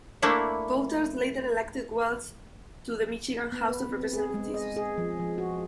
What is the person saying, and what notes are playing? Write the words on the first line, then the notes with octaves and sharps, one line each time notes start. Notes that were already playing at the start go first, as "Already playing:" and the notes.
Voters later elected Wells to the Michigan House of Representatives.
A3 A#3 D4 E4 F#5
B3
B4
C4
G#4
G#3
D#5
G#4
F3
F3
F#4